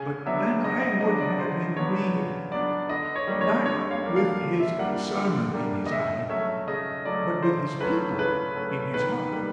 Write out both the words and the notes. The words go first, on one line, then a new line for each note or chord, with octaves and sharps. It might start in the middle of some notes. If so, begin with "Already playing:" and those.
But then I would have him read--not with his sermon in his eye, but with his people in his heart.
Already playing: C#3 G#5
F#3 B3 D4 E5
C#3 D#5
D#5
F#3 B3 D4 D#5
D5
C#3 C5
F#3 B3 D4 C#5
C#3
F#3 B3 D4 D5
D3 D#5
C#5
G3 A#3 D4
C#5
D3 C#5
F5
G3 A#3 D4
F5
D3
E5
G3 A#3 D4 F#5
D3
G3 A#3 D4
D#5
C#3 E5
F#3 A3 C#4 E5
C#3 D#5
F#3 A3 C#4 D5
C#3 C5
F#3 A3 C#4 B4
C#3 B4
F#3 A3 C#4
D#3 B4
G3 A#3